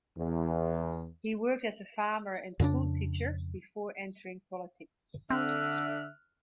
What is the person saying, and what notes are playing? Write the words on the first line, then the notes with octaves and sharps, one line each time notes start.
He worked as a farmer and school teacher before entering politics.
E2
F2 C#3 C#4 D4
D3 C4 E5 F6 F#6